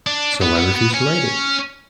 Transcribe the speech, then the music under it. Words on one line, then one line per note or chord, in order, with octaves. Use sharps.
So I refused to write it.
D4
B3
B3
B3
C#4